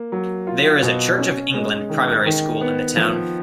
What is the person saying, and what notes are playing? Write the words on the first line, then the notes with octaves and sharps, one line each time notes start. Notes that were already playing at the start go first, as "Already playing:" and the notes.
There is a Church of England primary school in the town.
Already playing: A#3
F#3
F4
B2
C#4
G#3
D#3
D#3
B3
F3